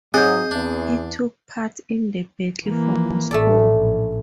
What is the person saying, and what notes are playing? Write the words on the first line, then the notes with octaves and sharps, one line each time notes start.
He took part in the battle for Moscow.
G#2 F#3 C4 G#4 D#5 G6
E2 D4
E3 A#3
A1 A3 A4 D5
A#1